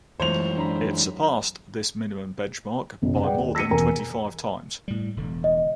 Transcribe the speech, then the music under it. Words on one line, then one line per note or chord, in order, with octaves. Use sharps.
It surpassed this minimum benchmark by more than twenty-five times.
F#2 E3 F#3 G#3 A3 C5 C#5 F7
D3 G#3 D4 A#5 B5
F#1 B1 C#3
G#4 B4 D5 F#5 G5
D#2
E6 A#6 B6 C#7 D#7
E1 A#4 G#5 A#5
A2 G3
E1 D3
D#5